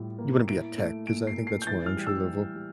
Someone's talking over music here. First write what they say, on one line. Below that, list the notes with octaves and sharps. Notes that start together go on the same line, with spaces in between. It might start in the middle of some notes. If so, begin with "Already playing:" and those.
you wouldn't be a tech 'cause I think that's more entry level.
Already playing: A2 G3 F4
A#3
E4 D7
A3
A#2 D7
C7
A#2
C7
G6
E3 A6
F6
G3
E6
E3
G3